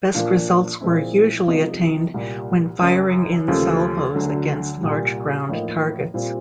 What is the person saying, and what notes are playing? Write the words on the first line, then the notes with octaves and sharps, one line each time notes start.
Best results were usually attained when firing in salvos against large ground targets.
A#2 F3 A#3 D4 F4
A#2 F3 G#3 C4 E4
C3 F3 G#3 B3 D#4
C2 A#2 G3
F#2 C#3 F#3
D#2 C#3 F3 A3
D2 D3 F#3
C2 A#2 G3
A2 F3 A#3 D#4
A#2 G3 C4 F4